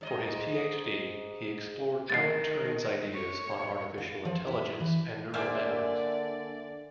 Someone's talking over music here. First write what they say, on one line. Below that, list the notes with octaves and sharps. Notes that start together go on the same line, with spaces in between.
For his PhD, he explored Alan Turing's ideas on artificial intelligence and neural networks.
G#2 D5 D#5
D#3 A6 C7
C#5
F5
F3
E4
E3
D3 A#3 C5 D5 E5 G#5 D6 F6